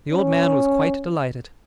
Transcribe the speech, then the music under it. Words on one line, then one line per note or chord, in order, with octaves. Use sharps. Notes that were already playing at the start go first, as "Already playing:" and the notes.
The old man was quite delighted.
C#4